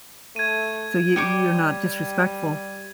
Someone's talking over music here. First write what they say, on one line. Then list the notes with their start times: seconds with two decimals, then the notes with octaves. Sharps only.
so you you're not disrespectful.
0.36 A3 G#6 D#7
1.16 G3 G4 C#5 D6